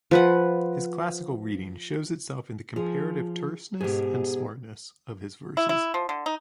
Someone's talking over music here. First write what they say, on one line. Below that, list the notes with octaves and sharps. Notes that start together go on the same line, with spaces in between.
His classical reading shows itself in the comparative terseness and smartness of his verses.
F3 B4 F#5
F3 G#4
G#2 B2 G4 G#4
E4
E4
F3
D3
D#4